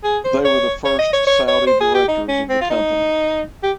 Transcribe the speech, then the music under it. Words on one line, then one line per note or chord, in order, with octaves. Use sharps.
They were the first Saudi directors of the company.
G#4
C5
C#5
C#5
D#5
C#5
C#5
C#5
C5
G#4
G4
D#4
C#4
C4
F4
D#4
G4